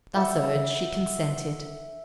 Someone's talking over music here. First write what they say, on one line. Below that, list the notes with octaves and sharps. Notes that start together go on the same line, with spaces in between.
Thus urged, she consented.
E5 F#5 G5